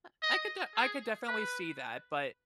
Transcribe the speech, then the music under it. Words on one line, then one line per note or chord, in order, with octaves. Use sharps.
I I could de I could definitely see that, but,
D#5
G#4
B4